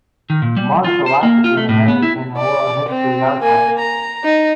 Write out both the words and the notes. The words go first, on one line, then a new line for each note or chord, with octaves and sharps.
Marshall African American Oral History Archive.
D#3
A#2
G3
F4
C5
A#3
F4
A3
A2
B3
E4
D5
C4
A#3 G#5
A#5
D#4